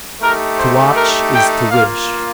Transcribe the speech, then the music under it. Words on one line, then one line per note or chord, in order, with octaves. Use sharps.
To watch is to wish.
A3 D#4 G4 A#4
C5
A#4
G5
A#3 F4 F5